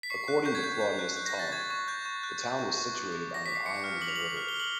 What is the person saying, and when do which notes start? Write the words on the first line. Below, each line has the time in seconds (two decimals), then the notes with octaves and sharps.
According to Claudius Ptolemy, the town was situated on an island in the river.
0.03 B6
0.10 C#6 C7
0.28 F#6
0.46 C#6 G6
0.55 G#6
0.64 C#6 G6
0.81 F#6 G6
0.99 F#6
1.17 F#6
1.26 A#6
1.34 C#6 A6
1.52 C#6 G#6
1.70 C#6
1.88 F#6 G6
2.06 C#6
2.23 F#6
2.41 F#6
2.59 C#6
2.77 C#6
2.95 D6
3.13 D6
3.30 D6 A#6
3.46 D6 B6
3.55 C7
3.66 D6 C#7
3.84 F6
4.01 D6 F#7
4.08 F7
4.16 D6 F#7
4.37 F6
4.49 G7
4.54 F6
4.60 F#7